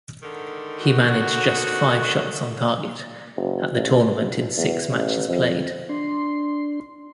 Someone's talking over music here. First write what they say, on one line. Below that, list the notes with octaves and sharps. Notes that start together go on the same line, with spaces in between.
He managed just five shots on target at the tournament in six matches played.
G#2 D3 D#3
F#4
F#1
A1
F#1
E2
A1
F2
D4 C6